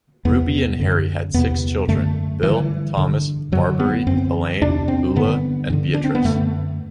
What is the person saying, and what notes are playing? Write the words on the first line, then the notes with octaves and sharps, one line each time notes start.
Ruby and Harry had six children: Bill, Thomas, Barberry, Elaine, Ula and Beatrice.
E2 C3 B3
F#2 D3
E2 C3 B3
F#2 D3 A3
G2 D3 E3
G2 D3
F#2 D3 F#3
B3
F#2 D3 C4
E2 C3 D4
C4
G2 D3 B3
G2 D3
D4
C4
B3
F#2 D3 A3